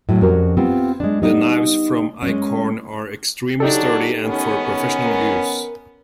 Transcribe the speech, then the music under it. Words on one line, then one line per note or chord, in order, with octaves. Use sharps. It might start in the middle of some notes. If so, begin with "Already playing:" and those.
The knives from Eickhorn are extremely sturdy and for professional use.
A2 F#3
F2 C#4 F#4 G4 A#4
B3 C4 F4 G4
G#3 D4
G3 B3 D#4
G#3 C#4
F#3 D4 D#4 G4 A4
D#3 B3 C#4
A#4